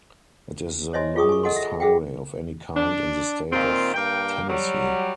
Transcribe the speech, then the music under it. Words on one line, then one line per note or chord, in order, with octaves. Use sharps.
It is the longest highway of any kind in the state of Tennessee.
C5 C#5 D#5 E5 G#5 C6
F4 G#4 C#6 D#6
G#5 C#6
A4 D#5 F#5 G#5 C6
E5
G#4 E5 F#5 G5
D4
A#2 D#3 C4 F4
G2 A#3 G5
F#3 G3